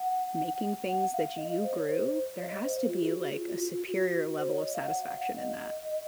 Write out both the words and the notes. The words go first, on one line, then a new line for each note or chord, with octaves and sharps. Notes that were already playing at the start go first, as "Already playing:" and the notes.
making things that you grew, there has to be, like, a superior level of satisfaction in that.
Already playing: F#5
F#5
F5
D#5
D#5
C5
C#5
C5
C#5
F5
D#5
C5
C5
F4
G#4
F#4
F4
F4
F4
F4
F#4
C5
C#5
D#5
F5
F#5
F5
F#5
D#5